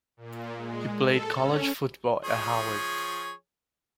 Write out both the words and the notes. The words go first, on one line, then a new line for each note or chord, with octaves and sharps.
He played college football at Howard.
A#2
G#3
A4
C#4
F3 G#4 C#5